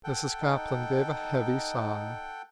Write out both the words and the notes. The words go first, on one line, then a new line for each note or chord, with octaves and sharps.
Mrs. Caplin gave a heavy sigh.
A4 F#5 G5
D#4